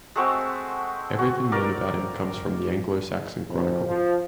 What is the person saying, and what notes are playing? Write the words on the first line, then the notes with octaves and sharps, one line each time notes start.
Everything known about him comes from the "Anglo-Saxon Chronicle".
G#3 A3 C4 F#4
F#4
A#4 D5 F5 D6
F2
F3